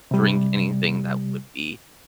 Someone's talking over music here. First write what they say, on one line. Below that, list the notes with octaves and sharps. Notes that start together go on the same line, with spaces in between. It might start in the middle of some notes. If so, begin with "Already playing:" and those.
drink anything that would be
C3 G3